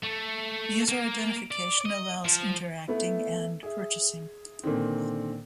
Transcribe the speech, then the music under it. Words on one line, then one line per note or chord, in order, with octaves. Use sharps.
User identification allows interacting and purchasing.
A3
A#3
D5
D#5
F3
A3 B3 E4
G#4 E5
A#2 D3 D#3 C4